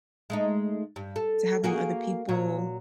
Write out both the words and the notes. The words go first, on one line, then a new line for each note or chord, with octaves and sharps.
to having other people
G#3 A3 D#4
G2
A4
A#3 F#4 G#4
A#2 F#3